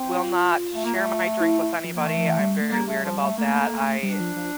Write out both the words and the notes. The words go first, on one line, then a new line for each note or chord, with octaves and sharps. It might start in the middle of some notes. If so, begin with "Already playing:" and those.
will not share my drink with anybody, I'm very weird about that, I
Already playing: C4
F4
A3
A#3
A3
E4
E4
F3
A#3
E3 A3
F3
E3
G3
A3
G3 A#3
A3
F3
A3
A3 A#3
G3 D4
F3
F3